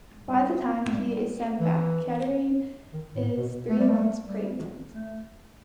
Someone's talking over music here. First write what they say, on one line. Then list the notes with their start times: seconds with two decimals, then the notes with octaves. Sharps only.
By the time he is sent back, Catherine is three months pregnant.
0.28 G3
0.88 A3
0.94 G3
1.60 E3
2.94 D#3
3.15 A2
3.38 B2
3.69 A3
3.79 G3
3.89 A3
4.25 G3
4.92 A3